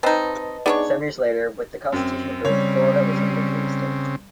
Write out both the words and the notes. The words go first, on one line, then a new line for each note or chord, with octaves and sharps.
Seven years later, with the constitution approved, Florida was officially a state.
C4 D#4 B4 D#5 A5
B3 D4 D#4 G#4 C#5 D5
F#2 C4
C#3 G3 C4 C#5